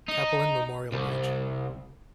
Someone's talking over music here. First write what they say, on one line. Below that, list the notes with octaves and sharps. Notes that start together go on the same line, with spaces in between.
Cappelen Memorial Bridge.
D#4
C2